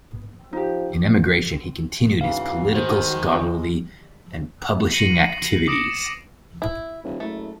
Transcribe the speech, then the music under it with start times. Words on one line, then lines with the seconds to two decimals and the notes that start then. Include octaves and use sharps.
In emigration he continued his political, scholarly and publishing activities.
0.53 F3 D#4 G4
2.21 G#2 C#3 E3 F#4 F5
2.75 D#3 G#3 C5
4.91 A#6 C7 C#7 D#7 F#7
5.68 D6 D#6 A#6 C#7 D7 E7
6.62 E4
7.04 D#1
7.20 F#1 A3